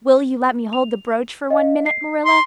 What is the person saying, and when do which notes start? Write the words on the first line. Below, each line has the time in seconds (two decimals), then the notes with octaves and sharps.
Will you let me hold the brooch for one minute, Marilla?
0.73 F7
1.50 D#5 F5
1.86 C7
2.25 C6